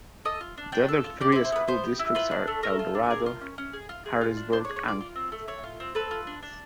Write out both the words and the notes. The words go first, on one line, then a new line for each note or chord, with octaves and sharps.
The other three school districts are Eldorado, Harrisburg, and Carrier Mills.
A4 D#5
F4
D4
D4 G5
A4
F4
G4 D5
C5
E4
C5
B3 B4
B3 C5
G4
E4
F4 B4
D4
A3
A4 A#4
F4
D4
G#4 A#4
F4
C#4
C#4
G#4
F4
G#4
F4
D4
D4 C5
C#5
G#4
C#5
F4 D5
F4
C4
A3
A3 C#5
F4
C4
A4 B4
F4
D4
D4